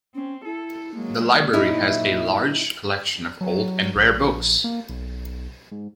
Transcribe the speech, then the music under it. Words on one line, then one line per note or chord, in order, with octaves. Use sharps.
The library has a large collection of old and rare books.
C4 C#4
E4 A4
F#3 G#3 A#3
A#2 F#3 D#4 E4
E5
F#3
A#1
A#3
B1
G#2